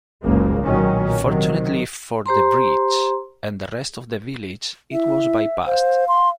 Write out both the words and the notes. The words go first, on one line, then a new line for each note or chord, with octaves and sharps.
Fortunately for the bridge, and the rest of the village, it was bypassed.
F#1 C#2 C#3 A#3
B1 A#2 D#3 F#3 C#4
C3 D#3 F#3
G4 C5 A#5 C6
E4 E5
C5 F5
C6